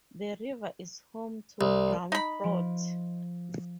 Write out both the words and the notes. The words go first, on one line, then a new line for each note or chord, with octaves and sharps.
The river is home to brown trout.
C2
D#4 B5
F3 D7